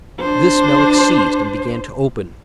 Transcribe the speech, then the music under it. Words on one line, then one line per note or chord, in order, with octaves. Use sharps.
This Melick seized and began to open.
D4 C5